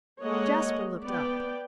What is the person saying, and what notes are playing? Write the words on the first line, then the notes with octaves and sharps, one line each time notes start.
Jasper looked up.
G#3 A#3 A4 C#5 D#5 F#5
B3 D5 G5